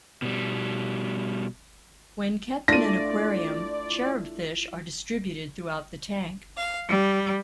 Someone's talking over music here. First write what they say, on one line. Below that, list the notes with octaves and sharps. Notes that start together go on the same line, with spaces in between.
When kept in an aquarium, cherubfish are distributed throughout the tank.
B2 G3
A3 D4 E4 F4 D5 C6 A#6 D#7
F5
G3